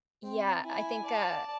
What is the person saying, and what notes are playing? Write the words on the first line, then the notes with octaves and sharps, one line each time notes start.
Yeah, I think, uh,
C4
E4 G#5
D5 A5